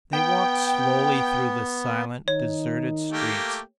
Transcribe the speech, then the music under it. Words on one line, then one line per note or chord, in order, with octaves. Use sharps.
They walked slowly through the silent, deserted streets.
B3 G5
D#3 D#4 C#5
A3 A#3 G4